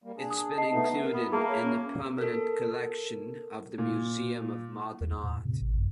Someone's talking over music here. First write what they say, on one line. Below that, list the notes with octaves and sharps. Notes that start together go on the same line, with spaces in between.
It has been included in the permanent collection of the Museum of Modern Art.
G3 A#3
D4 G#4
D#6
D#5 A5 C7
A3 B3 D#4
A#4
B3
A#3 G#4 E5 A5 B5
C#5
C#4
A4 A#4
A#2
E2
A2
C3
A1
F#2